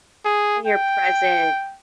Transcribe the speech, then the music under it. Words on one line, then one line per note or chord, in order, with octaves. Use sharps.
And your present.
G#4
G5